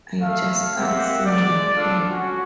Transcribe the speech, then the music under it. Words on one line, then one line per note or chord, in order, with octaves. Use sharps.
I just can't sing it like her.
A3 A4 F5
A#3 C4 G4 E5 F#5
G#3 D5
D4 F4 A4 F5
C#4 F#4